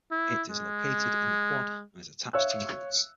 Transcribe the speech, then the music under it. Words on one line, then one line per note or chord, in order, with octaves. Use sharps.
It is located in the Quad and is attached to Mac's.
E4
G#3
C#5 E5 F5 E6 F#6